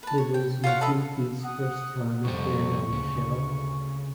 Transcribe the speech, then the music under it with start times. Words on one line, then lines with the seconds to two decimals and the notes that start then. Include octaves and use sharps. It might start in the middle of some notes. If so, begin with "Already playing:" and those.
It was Mizuki's first time appearing on the show.
0.03 B4 A5
0.18 C#5
0.34 G5
0.64 F4 C#5 F5 F#5
0.81 A4 B4 D#5 E5
1.43 F#5 D#6
2.25 F2 C3 G3 C#6
2.92 D2 C#3